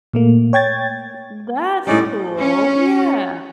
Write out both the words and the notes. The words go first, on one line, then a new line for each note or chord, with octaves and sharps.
That's cool. Yeah.
A#2 A3 A#3
C#5 G5 G#6 A6
A2 G3 C#4 D#4 D5
C#4